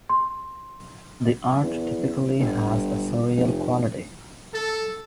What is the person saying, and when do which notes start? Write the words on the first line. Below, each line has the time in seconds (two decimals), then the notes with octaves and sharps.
The art typically has a surreal quality.
0.10 C6
1.63 E2
2.39 G1
3.36 F1
4.54 A4